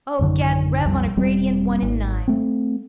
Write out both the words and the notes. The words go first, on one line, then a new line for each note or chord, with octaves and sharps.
O, get, rev on a gradient one in nine.
A1 F#2 D3 D#3
B1 F2 G3
E1 G3 C4
G#1
A3 C4